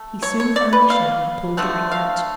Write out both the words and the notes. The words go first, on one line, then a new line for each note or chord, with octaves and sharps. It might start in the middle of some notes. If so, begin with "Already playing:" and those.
He soon found the shell, and pulled the ring out.
Already playing: A3
C#5
C#5
D5
B4
F5
D3 F3 A3 F#5
F5